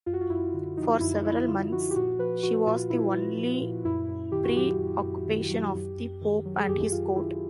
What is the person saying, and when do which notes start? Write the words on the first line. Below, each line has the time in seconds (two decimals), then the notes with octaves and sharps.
For several months, she was the only preoccupation of the Pope and his court.
0.06 F#2 F4
0.13 F#4
0.21 F4
0.30 F#2 E4
0.54 D3
0.77 F3 D#4
1.01 F#2 E4
1.24 F#2 E4
1.48 D3 F4
1.72 F3 F#4
1.91 G4
1.95 A#2 F#4
2.19 F3 B4
2.43 F3 F#4
2.66 A#2 F4
2.90 A#2 E4
3.14 F3
3.37 F3
3.61 A#2
3.85 F#2 E4
4.08 F#2
4.32 D#3 G4
4.44 F#4
4.56 F#3 G4
4.79 F#2
5.03 F#2
5.27 D#3
5.51 F#3
5.74 F#2
5.97 F#2
6.21 D#3
6.45 F#3
6.59 G#4
6.68 F#2 G4
6.92 F#2 F4
7.16 D#3 E4